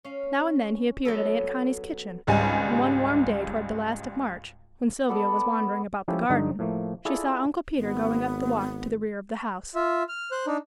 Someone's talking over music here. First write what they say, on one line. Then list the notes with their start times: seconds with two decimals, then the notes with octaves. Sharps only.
Now and then he appeared at Aunt Connie's kitchen, and one warm day toward the last of March, when Sylvia was wandering about the garden, she saw Uncle Peter going up the walk to the rear of the house.
0.04 C#4 F5
1.05 F#3 B3 A4
2.27 G#1 C#2 G3 G#3 G#5
5.09 B3 A4 D5 A5
6.08 F3 C#4 E4 G4 A4
6.30 G2 D3 D#4
6.59 A2 F3 A3 A#3
7.05 E4 F4 G#4 A4 D5
7.79 G#1 B3
9.75 F4 E5
10.09 F6
10.31 C5 F#6
10.46 D4 D#4